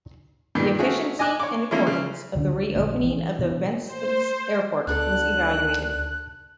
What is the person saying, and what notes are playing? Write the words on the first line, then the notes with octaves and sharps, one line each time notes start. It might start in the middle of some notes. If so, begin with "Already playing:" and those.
The efficiency and importance of the re-opening of the Ventspils Airport was evaluated.
G2 A#2 D#3
A3 C#4 F#4 G#4
D#5 G#5 D6 F#6
C#5 D6
F3 A#3 C#4 E4 F4
C#3
D2 D3 C#4 D4
A#1 D#2 A3
E3
B2 E3
C5
D2 B3 D4 A4 F#6